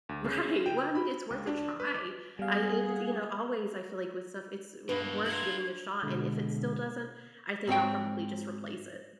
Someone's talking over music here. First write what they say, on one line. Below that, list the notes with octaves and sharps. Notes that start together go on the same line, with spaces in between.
Right. Well, I mean, it's worth a try. I it's you know, always, feel like with stuff, it's w w worth giving a shot, and if it still doesn't, I think I'll probably just replace it.
D2
C#3
G5
B5
C#2
D4
B4
D6
G3 B3 G#4 F5
G2 B2 A#3 B4
E4 F4 F#5 A#5 G#6
B2 D3 G#3
G#2 C4 C#5 G5